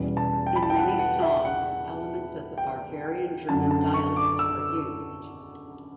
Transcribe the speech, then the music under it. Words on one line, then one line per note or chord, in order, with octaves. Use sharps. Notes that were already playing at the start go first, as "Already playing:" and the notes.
In many songs elements of the Bavarian German Dialect are used.
Already playing: E2 B2 G3 C#4
A5
G5
B5
A5
G5
F#5
F#5
E5
F#5
G5
F#2 D3 F#3 C#4 A5
A5
C#6
D6
E6